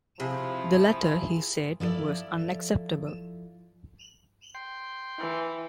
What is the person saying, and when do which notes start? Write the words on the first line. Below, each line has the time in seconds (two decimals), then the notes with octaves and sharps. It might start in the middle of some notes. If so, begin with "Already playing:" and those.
The latter, he said, was unacceptable.
0.20 C3 F3 E4 G#4
1.80 F3 E4 A4 D5
4.55 G5 C6
5.19 E3